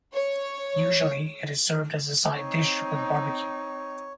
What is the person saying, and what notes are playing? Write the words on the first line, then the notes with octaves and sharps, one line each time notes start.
Usually, it is served as a side dish with barbecue.
C#5
C4 D#4 C#5